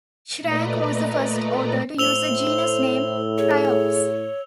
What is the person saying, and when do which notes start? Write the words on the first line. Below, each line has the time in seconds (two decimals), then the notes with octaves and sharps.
Shrank was the first author to use the genus name "Triops".
0.40 A#2 A3 B4 D5 D#5 A#5
1.98 A2 C5 E6 F7 G7
3.38 G#4 C#5